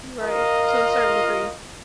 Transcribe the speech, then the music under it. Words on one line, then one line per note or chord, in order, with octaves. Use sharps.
you right. To a certain degree.
F4 A#4 D#5 F5